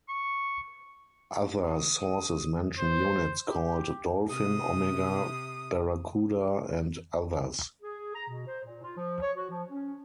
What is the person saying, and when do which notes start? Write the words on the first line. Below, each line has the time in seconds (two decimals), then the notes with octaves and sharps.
Other sources mention units called "Dolfin", "Omega", "Barrakuda", and others.
0.09 C#6
1.65 D#6
2.78 C5
3.47 G4
4.26 C3 D#6
7.81 G#4
8.14 A#5
8.28 B2
8.46 C5
8.63 A#2
8.83 F4
8.96 F3
9.21 C#5
9.37 F#4
9.50 F3
9.70 C#4